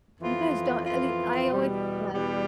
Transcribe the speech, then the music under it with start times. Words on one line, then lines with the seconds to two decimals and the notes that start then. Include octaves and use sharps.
You guys don't any I always had
0.20 F2 E3 B3 F4
0.85 F2 E3 B3 F4
1.49 E2 B2 G3
2.13 E2 B2 G3